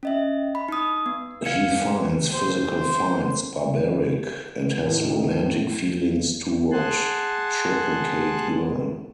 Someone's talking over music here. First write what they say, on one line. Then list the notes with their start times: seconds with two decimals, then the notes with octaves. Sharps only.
He finds physical fights barbaric and has romantic feelings toward Triplicate Girl.
0.03 C#4 D#5 E5
0.55 B5
0.68 D#4 D#6
1.06 B3
1.45 F5 G#6 C#7
2.33 C5
4.85 A2 D#3
6.72 G#4 F#5 G#5 A5 C6 F#6